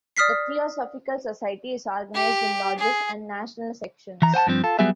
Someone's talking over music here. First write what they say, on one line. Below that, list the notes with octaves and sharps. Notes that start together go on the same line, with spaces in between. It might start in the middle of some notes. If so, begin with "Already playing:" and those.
The Theosophical Society is organised in lodges and national sections.
D5 D#6 F6 B6 C7
G4
G#4
E3 A#5
C5 F#5 G#5 A5
G2 F3 C4
F4 A4
F#3 G3 B3 F#4 G#4 E5